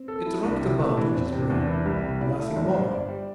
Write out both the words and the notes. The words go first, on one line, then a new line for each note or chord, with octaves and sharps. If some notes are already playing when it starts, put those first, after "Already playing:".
It rocked about in his brain--nothing more.
Already playing: C4
A4
E4
C2 D4
C3 E4
A3 G4
E3
D4
E2 C4
C4
C3
D4
E2 D4
E4
E3
D4
C2 G4
C3
E4 D5
D5
A3 E5
G1 D5
G2 C5
G1 D5
G3